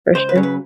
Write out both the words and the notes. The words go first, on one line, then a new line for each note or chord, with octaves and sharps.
for sure.
C#2 C5
B4
C#3 F#3
B4